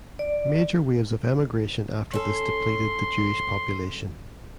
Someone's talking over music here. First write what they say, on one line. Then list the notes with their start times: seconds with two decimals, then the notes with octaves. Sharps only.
Major waves of emigration after this depleted the Jewish population.
0.19 D5
2.14 C#4 A4 C6